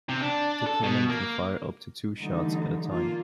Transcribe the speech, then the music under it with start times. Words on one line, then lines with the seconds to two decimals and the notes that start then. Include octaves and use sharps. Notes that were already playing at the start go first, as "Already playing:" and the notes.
The cannon can fire up to two shots at a time.
0.09 C3
0.21 D4
0.66 A4
0.83 B2
1.10 A#3
2.19 D3 E3 F#3 G3 A3 D#4
2.92 D3 A#3 F4